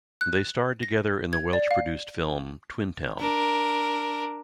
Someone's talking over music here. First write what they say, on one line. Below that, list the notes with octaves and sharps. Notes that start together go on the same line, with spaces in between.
They starred together in the Welsh-produced film "Twin Town".
F#6
A#6
G#6
D5
F5
D4 A#4